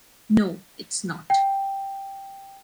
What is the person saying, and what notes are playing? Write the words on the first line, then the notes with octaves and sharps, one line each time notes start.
No, it’s not.
G5